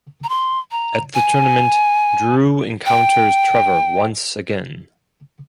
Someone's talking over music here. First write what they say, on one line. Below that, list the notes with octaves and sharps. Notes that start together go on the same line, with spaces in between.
At the tournament, Drew encounters Trevor once again.
A#5
C6
A#5
G#5
G5